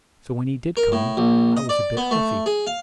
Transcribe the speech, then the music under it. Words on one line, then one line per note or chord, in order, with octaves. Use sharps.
So when he did come, I was a bit huffy.
A#4
A2
A#1
D#5
D5
B3
A3
G#4
F5